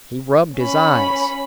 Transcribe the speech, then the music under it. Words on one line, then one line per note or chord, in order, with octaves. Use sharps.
He rubbed his eyes.
C#4 B5